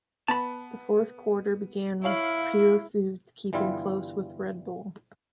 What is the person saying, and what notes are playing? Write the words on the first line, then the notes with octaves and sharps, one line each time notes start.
The fourth quarter began with Purefoods keeping close with Red Bull.
B3 A5 B5
E4 C#5 F5 F#7
G1 E3 G3 E4 F4